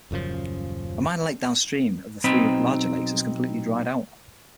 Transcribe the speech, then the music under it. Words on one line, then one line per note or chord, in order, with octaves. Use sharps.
A minor lake downstream of the three larger lakes has completely dried out.
D#1 F#2 C#3 F3
B1 C4 D#4 B5